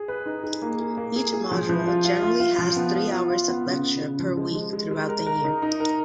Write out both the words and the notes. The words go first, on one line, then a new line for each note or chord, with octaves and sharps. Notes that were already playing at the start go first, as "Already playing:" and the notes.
Each module generally has three hours of lectures per week throughout the year.
Already playing: G#4
B4
D#4
G#4
A#3
G#4
A#3
G#4
G#4
F3
F3
F4
F4
F4
F4
F3
B3
F4
F4
F4
B3
C#3
C#3
C#3
F3
G#3
G#3
G#3
G#3
A#4
A#4
D#4
D#4
A#4